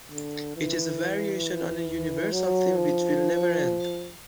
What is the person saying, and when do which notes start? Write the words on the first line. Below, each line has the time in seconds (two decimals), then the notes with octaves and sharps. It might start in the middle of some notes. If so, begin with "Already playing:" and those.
It is a variation on a universal theme which will never end.
0.11 D3
0.56 E3
2.32 F#3
2.76 F3